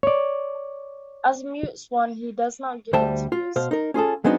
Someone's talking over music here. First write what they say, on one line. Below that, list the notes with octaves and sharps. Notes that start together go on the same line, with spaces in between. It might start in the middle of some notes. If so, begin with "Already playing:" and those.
As a mute swan, he does not give interviews.
C#5 D5
D2 G3 C5 E5 G5 A5
F4
B2 C5 F5
D#4 A#4
C#4 F4 G#4 A4
F#3 G#3 B3 C4 D4 D#4